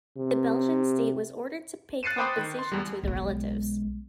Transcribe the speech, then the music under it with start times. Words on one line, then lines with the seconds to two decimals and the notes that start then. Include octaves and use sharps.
The Belgian state was ordered to pay compensation to the relatives.
0.18 C3
2.03 F#6 A6 C7 C#7 D#7 E7
2.18 C5 G5 B5 D6 D#6 F#6
2.38 D#3
2.59 C6
2.72 E2 G3
3.03 B1 G#3